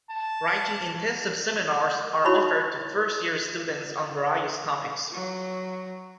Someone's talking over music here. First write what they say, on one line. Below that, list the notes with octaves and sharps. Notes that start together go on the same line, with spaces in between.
Writing-intensive seminars are offered to first-year students on various topics.
A5
D#4 E4 F#4 C#5 B5 C#6
F#3